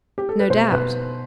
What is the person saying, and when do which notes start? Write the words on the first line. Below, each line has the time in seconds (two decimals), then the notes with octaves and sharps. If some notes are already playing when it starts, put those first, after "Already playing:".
No doubt.
0.18 G4
0.29 A4
0.39 B4
0.50 B2 C5
0.72 B2 B4